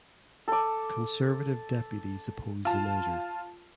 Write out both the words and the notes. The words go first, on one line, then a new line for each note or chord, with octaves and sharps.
Conservative deputies oppose the measure.
A4 D6
F4 A5